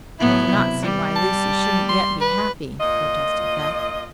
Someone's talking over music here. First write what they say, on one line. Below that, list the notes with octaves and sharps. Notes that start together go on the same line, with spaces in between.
"I cannot see why Lucy shouldn't yet be happy," protested Beth.
A2 F#3 B3 E4
C3
G3
A5
C6
B4
A#2 F4 D#5